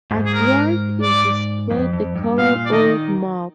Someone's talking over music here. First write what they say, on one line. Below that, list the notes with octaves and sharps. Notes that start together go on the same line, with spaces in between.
At right is displayed the color old mauve.
G#2
G#4
A#4
D5
F2
F2
G2
A#2 F5
D5
D#3 D#5